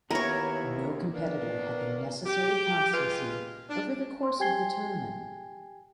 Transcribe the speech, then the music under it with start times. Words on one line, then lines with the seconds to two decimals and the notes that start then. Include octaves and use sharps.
No competitor had the necessary constancy over the course of the tournament.
0.11 D#2 B3 E4 A#4 C#5
1.14 D#3 A#3 B3 D4
2.26 G4
2.93 G#3 F4 B4
3.70 D4
4.23 C5 C6
4.40 G4 G5 G#5 G#6 C7 G7